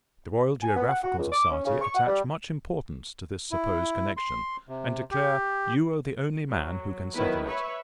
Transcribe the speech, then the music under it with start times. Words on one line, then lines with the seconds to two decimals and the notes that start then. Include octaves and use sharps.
The Royal Geographical Society attach much importance to this supposed connection, and declare you are the only man who can settle it.
0.62 G#5
0.75 B3
0.88 F#5
1.03 F#4
1.17 C#2
1.32 D6
1.50 C#4
1.65 C#3
1.81 C#6
1.95 F#5
2.07 G3
3.51 E4
4.17 C6
4.69 C3
5.11 G4
6.48 F#3
7.13 D#3 F#3 B3 E4 B4
7.47 B4 C#5 E5 B5 C#6